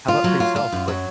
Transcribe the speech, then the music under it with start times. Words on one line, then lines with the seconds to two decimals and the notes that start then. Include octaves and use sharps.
How about for yourself? Like
0.08 F4
0.24 F#3
0.40 F4
0.56 F4
0.73 F#2
0.88 F#3